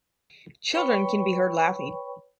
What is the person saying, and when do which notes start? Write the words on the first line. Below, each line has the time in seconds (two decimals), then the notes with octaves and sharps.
Children can be heard laughing.
0.73 B4 C#5 G5 B5 C#6